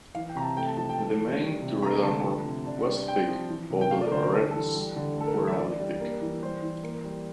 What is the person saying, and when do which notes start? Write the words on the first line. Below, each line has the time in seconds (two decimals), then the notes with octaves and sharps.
The main turret armor was thick although the barbettes were only thick.
0.15 E3 F5
0.29 G5
0.35 C3 A#5
0.42 A5
0.57 A3 G5
0.66 A5
0.77 F3 A5
0.89 G5
0.98 A3 A5
1.19 E3
1.41 G3
1.62 C3
1.82 A3 A#5
2.02 D3 A5
2.23 F3
2.45 C3
2.66 D4
2.86 G3
3.07 C4 G5
3.28 F3
3.49 E3
3.70 C3
3.81 G5
3.91 A3 F5
4.01 D5
4.07 A#4
4.11 D3 C5
4.22 A#4
4.32 G3 A4
4.51 E3 A4
4.75 G3
4.96 D3
5.16 A3 A4
5.27 A#4
5.37 E3
5.47 E5
5.58 D4 D5
5.80 G3
6.00 A#3
6.21 E3
6.42 G3 C5
6.62 E3
6.84 A#3
7.04 G3